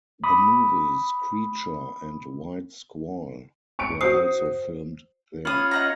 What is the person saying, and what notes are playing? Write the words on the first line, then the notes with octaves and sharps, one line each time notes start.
The movies "Creature" and "White Squall" were also filmed there.
B5 D6 D#6
C#6 C#7 D7
F#4 C5 D#6 C7
C#4 F4 B5 D#6
D#5 F#5 A#5